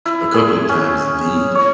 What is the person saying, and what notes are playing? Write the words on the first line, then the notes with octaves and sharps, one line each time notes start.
a couple of times indeed,
E4
G#4
C#4
C#5